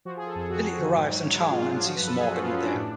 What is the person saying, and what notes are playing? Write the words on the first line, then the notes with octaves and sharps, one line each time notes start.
Lily arrives in town and sees Morgan there.
F3 F#4
G#4
F3
A4
F2 G#4
F2 F#4
F2
D3
G#2
F#3
F#3
F#3 G#4
F4
G#2
F4
G#2 D4
F3 F#4
B4
F#2
A4
F#2 G#4
F3 F#4
F4
F#2
C#4
F#2 D4
A2 D4